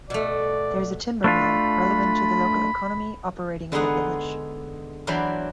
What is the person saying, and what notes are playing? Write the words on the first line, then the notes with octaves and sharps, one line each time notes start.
There is a timber mill, relevant to the local economy, operating in the village.
B2 A3 D5
A3 D4 F4 B5
D3 G#3 B3 D#4 G#4 F#5
E3 F#3 D4 C5 D5 B5